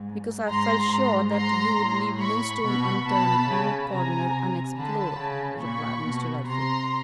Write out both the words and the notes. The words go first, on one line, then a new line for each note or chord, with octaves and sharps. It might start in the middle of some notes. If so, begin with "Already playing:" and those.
"Because I felt sure that you would leave no stone unturned, no corner unexplored," replied Mr. Elphick.
Already playing: G#2
G#2 A#5 C6
G#2
A#5 C6
A2
B5 C#6
B2 B5 C#6
B2 A5 B5
C#3
C3 G#5 A#5
D3 A5 B5
C#3
A#2 B5 C#6
B2
C3 A#5 C6